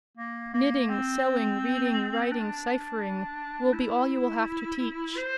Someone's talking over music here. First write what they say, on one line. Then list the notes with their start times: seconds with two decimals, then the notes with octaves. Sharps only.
Knitting, sewing, reading, writing, ciphering, will be all you will have to teach.
0.18 A#3
0.54 A#3
0.89 C4
2.32 D4
3.73 E4
5.17 C5